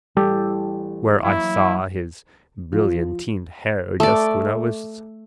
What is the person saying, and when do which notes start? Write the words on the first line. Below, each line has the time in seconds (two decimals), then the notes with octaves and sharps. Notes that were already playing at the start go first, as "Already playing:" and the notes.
Where I saw his brillantined hair just when I was.
0.17 A1 G3 G4 A4 D5
1.24 F#3 A#3 E4
2.73 F3
4.00 A3 D5